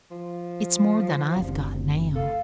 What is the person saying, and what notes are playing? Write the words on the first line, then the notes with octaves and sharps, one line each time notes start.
It's more than I've got now.
F3
F#1 D2 C3
A4 F5